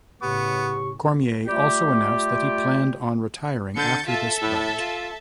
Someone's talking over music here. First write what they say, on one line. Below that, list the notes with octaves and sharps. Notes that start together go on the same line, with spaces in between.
Cormier also announced that he planned on retiring after this bout.
A2 C#3 B3 G4 C#6
G3 A3 F4 G4
D3 G6 A6 C#7
F4 A4 E5 A5
A2
F4